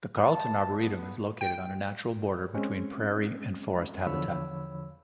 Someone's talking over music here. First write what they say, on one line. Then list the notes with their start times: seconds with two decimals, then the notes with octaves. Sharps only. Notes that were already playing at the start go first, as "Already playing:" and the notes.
The Carleton Arboretum is located on a natural border between prairie and forest habitat.
0.22 A5
0.78 B3
1.41 G5
2.55 G#3 C4 C#4
4.07 E2 D3 F3 C#5 B5 E6